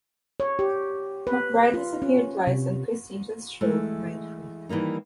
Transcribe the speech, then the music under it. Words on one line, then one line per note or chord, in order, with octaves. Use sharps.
McBride has appeared twice on Criss Angel's show MindFreak.
C#5
G4
B4
F4
C#4
C3
E3 G#3 A3
D#3 E3 G3 A#3 D#4